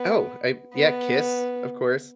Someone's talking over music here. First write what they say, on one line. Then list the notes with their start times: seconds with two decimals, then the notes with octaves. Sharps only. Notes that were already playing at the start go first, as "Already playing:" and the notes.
Oh, I yeah, Kiss, of course.
Already playing: B3
0.75 B3